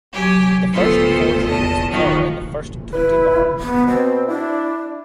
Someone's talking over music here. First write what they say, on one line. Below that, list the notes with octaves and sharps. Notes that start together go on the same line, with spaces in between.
The first four themes occur in the first twenty bars.
F#3 G4 G#5
D2 B3 F4 A4 C5 C6
E2 D#5 A5
D#3 F3 D#4 F#4
E4 B4
B3
B2 C4
D4 E4